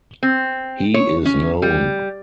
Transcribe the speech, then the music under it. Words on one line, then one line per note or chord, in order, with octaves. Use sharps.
He is known.
C4
C#5
C#4
G3